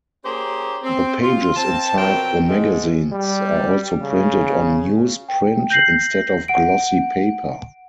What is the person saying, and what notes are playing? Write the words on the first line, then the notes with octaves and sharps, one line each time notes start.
The pages inside the magazines are also printed on newsprint instead of glossy paper.
A#3 C#4 G4 G#4 C5
C4
F4
C4 A5
F#2 B2 F3 C4 A#4 G5
G#2
G3
C#3
G5
G6 A#6 C7 F#7
F#5 D7